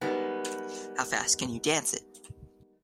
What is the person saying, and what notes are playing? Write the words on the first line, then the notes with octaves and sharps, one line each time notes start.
How fast can you dance it?
D#3 G3 G#3 B3